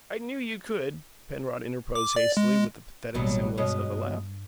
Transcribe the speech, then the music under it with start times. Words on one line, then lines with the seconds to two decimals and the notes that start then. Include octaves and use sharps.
"I knew you could," Penrod interposed hastily, with the pathetic semblance of a laugh.
1.95 D6
2.16 D5
2.37 G#3
3.14 A1 D#2 B2 F#3 G3 B3
3.57 G2 B2 G#3 C#4